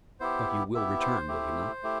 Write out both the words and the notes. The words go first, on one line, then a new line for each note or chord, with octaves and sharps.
"But you will return, will you not?"
B3 E4 G4 C5
B3 E4 G4 E5
C5
A3 E4 G4
A3 E4 G4